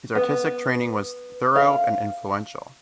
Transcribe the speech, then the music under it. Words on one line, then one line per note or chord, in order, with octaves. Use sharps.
His artistic training was thorough and influential.
B3
F5